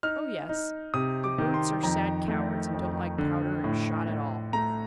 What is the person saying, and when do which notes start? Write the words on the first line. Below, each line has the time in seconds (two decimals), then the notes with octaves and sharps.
"Oh yes; the brutes are sad cowards and don't like powder and shot at all."
0.03 D#4 F6
0.49 D#4
0.94 C3 D#6
1.24 D6
1.38 D#3
1.54 C6
1.83 F2 A#5
2.28 A3
2.74 F2
3.18 D3
3.64 A2
4.08 A2
4.53 A3 A#5